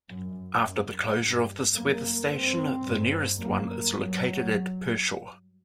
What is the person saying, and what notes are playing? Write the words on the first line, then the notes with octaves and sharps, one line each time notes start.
After the closure of this weather station, the nearest one is located at Pershore.
F#2
F#2
G2
F#2 A#3
G2 C4
G2
F#2 A#3
G2 F#3